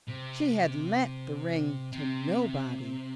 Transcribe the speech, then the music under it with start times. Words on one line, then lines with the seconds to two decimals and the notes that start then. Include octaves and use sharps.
She had lent the ring to nobody.
0.08 C3
1.93 C3